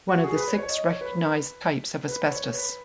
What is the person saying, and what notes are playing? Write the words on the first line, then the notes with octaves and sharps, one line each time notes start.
One of the six recognized types of asbestos.
F#4
G#4
B4
C#5
C#5
D#5
C#5
B4
B4
C#5
B4